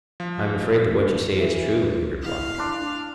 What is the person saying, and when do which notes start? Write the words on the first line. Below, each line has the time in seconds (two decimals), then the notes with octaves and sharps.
I am afraid that what you say is true, he replied.
0.20 F3
1.37 E3
2.23 E4 F5
2.58 D4 C6